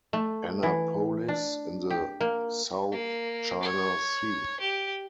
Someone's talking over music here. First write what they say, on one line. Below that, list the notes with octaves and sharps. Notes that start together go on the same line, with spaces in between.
Annapolis in the South China Sea.
A3
E3
D4
G4
A#3
A#3
C#5
G4